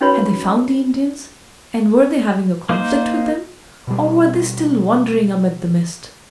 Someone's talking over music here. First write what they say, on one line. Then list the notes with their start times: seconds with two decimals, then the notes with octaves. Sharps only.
Had they found the Indians, and were they having a conflict with them, or were they still wandering amid the mist?
0.01 C#4 D#4 F#4 B4 C#5 B5
2.69 A#3 D#4 C5
3.87 B2 G3